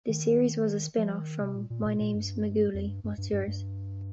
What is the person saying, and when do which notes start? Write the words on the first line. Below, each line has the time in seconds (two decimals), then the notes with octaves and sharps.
The series was a spin-off from My Name's McGooley, What's Yours?
0.09 D#3
0.98 F3
1.20 D#3
1.41 C3
1.55 A#2
1.70 A#2
1.82 G2
1.86 A#2
2.00 A#2
2.15 G2
2.74 F2
2.89 G2
3.04 G2
3.18 G2
3.33 G2
3.47 G2